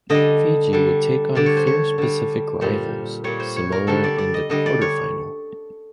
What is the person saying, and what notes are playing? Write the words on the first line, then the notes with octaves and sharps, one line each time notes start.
Fiji would take on 'fierce Pacific rivals' Samoa in the quarter final.
D3 G3 D#5
D3 G3
D3 G3 D5
C#5
C5
C#5
D3 G3
A#2 G3 C5
A#2 G3 C#5
C5
C#5
A#4
D3 G3 A4
D5
D5
D#5
D3 G3 D#5
D5
C#5